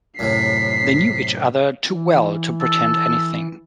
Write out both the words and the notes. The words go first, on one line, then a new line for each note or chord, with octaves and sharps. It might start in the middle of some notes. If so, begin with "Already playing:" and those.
They knew each other too well to pretend anything.
F#2 A2 C3 B6 C7
E3
A4